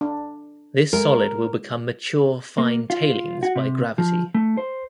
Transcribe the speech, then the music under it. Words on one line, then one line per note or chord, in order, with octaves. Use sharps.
This solid will become mature fine tailings by gravity.
D4
G#3 A#4
A#3
F4
F#4
C3
F3
A3
C5